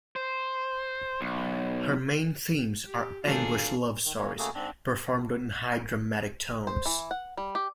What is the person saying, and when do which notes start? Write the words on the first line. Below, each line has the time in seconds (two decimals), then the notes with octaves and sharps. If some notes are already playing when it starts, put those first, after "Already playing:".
Her main themes are anguished love stories performed in high dramatic tones.
0.16 C5
1.21 B1
2.86 G4
3.24 G#1 A#3 D4 F4 F#4 G#4 A4
4.05 D#3
4.17 E3 A#3 C#5
4.38 C#3 A3 A#3 F#4 G#4 A4
4.54 G#2 C4 D4
6.67 C5
6.86 E3
7.11 F#5
7.37 G3
7.55 G4